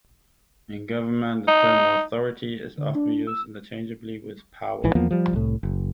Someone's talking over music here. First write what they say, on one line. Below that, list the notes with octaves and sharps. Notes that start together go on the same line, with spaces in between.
In government, the term "authority" is often used interchangeably with "power".
D#4
D3
D4
E6
A#1 G#2 E3
E2 F3 A#3 B3
F3 G3
C2 A2
F#1